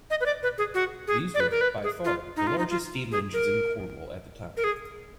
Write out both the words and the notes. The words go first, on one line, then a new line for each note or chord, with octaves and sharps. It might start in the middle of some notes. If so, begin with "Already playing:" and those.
These were by far the largest steam engines in Cornwall at the time.
D#5
B4
D5
B4
G#4
F#4
G#4
D5
B4
A#4
B4
G#4
F4
D#4
F4
D#4
F4
G#4
A#4
A#4
G#4